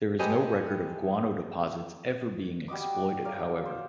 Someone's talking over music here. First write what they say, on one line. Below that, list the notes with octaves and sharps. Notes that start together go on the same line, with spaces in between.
There is no record of guano deposits ever being exploited, however.
G4 A4 B4 C5 D#5 G#5
G3 F#4 D#5 D6
F#3 D5 F5
C5